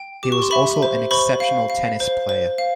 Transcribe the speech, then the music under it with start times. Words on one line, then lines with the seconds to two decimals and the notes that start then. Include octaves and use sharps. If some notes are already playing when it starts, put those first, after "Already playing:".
He was also an exceptional tennis player.
Already playing: G5
0.23 G4 D6
0.32 C#6
0.42 C6
0.51 E5 B5 C#6
0.82 C5
1.11 C5 B5 C#6
1.40 F5
1.70 F5
2.00 C5
2.29 C5
2.58 F5